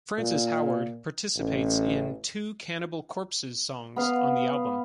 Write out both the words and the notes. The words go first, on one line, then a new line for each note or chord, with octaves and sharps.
Francis Howard participates in two Cannibal Corpse’s songs on the album.
A#2
A1
B3 B4 F5